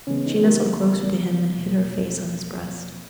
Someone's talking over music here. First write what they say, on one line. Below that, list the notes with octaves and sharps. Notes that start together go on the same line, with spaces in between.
She nestled closer to him and hid her face on his breast.
C#3 E3 G#3 B3 C#4
D#4
G4 A#4
E2 B2 A#3